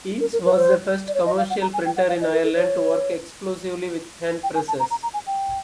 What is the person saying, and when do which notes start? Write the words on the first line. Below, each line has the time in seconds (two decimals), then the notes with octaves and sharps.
Yeats was the first commercial printer in Ireland to work exclusively with hand presses.
0.21 A#4
0.33 A#4
0.45 B4
0.56 C5
1.08 D5
1.15 C#5
1.26 D#5
1.38 F5
1.50 F#5
1.62 A#5
1.73 G#5
1.85 G5
1.97 F#5
2.09 F5
2.21 D#5
2.32 A#4
2.44 A4
2.55 C#5
4.43 G5
4.55 G#5
4.68 A5
4.80 A#5
4.91 A#5
5.03 A#5
5.14 G#5
5.27 G5